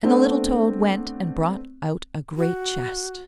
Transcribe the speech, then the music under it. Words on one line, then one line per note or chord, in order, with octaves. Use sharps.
And the little toad went and brought out a great chest.
A3 B3 C4 D4
F#4